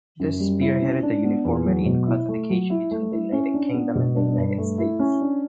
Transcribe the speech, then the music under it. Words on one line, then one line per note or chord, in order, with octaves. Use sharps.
This spearheaded the uniformity in classification between the United Kingdom and the United States.
F#2
G3
E4
C#4
D4
B3
E2
F#3
B2
E4
A3
F#3
E4
A3
E4
C#4
D4
B3
B2
D4
G2
A3
E4
C#4
D4